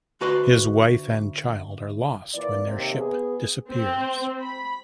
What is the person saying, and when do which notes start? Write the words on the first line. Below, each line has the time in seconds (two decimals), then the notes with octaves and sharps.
His wife and child are lost when their ship disappears.
0.21 D2 F#4 B4 D5 C6
2.34 A#2 E3 D5
2.65 D#2 C3
2.98 B3 G#4
3.70 C4
4.40 B5